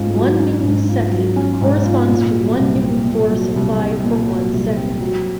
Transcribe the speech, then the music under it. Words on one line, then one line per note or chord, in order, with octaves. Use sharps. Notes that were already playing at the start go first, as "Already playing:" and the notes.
One newton second corresponds to a one-newton force applied for one second.
Already playing: G#2 C#4 F4
F#3
C#4
G#2
F4
F#3
C#4
G#2
F4
A#2
F#3
C2
C4
A#2
F#3
C2
C4
A#2
F#3
C2
C4
F#3